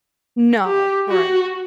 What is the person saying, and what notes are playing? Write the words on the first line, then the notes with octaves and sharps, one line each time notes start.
No, right.
G4
F#4